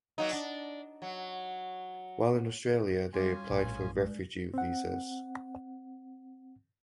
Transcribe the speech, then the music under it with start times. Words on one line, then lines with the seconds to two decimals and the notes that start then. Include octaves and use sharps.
Whilst in Australia they applied for refugee visas.
0.18 F#3 A#3 D#4
0.32 D4
1.02 F#3
3.13 G3 C#4 F4 G#5 D6
3.50 A#1 A2
3.96 G#3 D5
4.54 C4 F#5